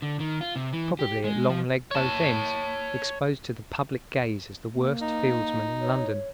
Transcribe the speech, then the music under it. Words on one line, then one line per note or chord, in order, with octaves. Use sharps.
Probably at long leg both ends, exposed to the public gaze as the worst fieldsman in London.
D3
D#3
F4
C3
E3
G4
G#3
F3
C#5 A5
A#3
D#4
C#5
C#5